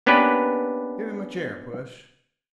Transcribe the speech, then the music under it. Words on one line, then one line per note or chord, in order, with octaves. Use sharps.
"Give him a chair, Puss."
A#3 B3 C#4 D4 G4 B4